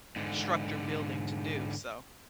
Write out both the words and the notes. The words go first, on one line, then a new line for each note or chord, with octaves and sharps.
structure building to do so.
G#2 D3